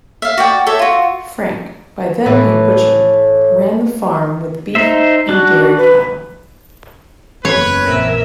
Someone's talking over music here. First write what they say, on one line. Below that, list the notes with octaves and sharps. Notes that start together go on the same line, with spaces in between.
Frank, by then a butcher, ran the farm with beef and dairy cattle.
E5 F5
F#4 D5 G5
A4 C#5 E5
F4 F#4
A2 E3 A3
D#4 C5 E5
D4 F#4 F#6
B4
F#1 E2 C#4 B4 C#5
A#1 A#2 E3 C4 A#4 E5